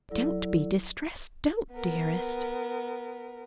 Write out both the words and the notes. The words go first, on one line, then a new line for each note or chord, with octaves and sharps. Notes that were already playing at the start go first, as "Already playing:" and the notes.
"Don't be distressed; don't, dearest!"
F#3 E4 A4 D5
B3 A#4